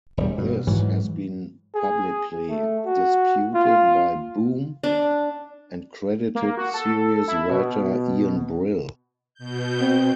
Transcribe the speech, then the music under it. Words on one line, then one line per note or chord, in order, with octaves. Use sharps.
This has been publicly disputed by Boom and credited series writer Ian Brill.
E1 G3
G2 B2
G#2 E3 F#3
G#4
A3
F#4
F4
D4
A#3
F#4
A4
E4
B2
B2 G6
C4